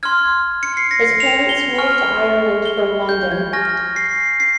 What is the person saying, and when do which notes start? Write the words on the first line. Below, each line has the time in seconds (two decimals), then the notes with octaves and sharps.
His parents moved to Ireland from London.
0.03 C6 F6 G#6
0.63 C#7
0.77 C7
0.91 A#6
1.20 F7
1.49 G7
1.78 G#5 C#6 F6
2.65 G7
3.09 G6
3.31 G#6
3.53 G#5 C#6 F6 A#6
3.96 C7
4.40 C7